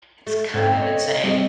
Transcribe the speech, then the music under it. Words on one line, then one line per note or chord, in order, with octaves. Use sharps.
It's kind of insane.
A3
G#2 D3 C4 C#4
C#5 D#5
G3 C4 G#4 D#5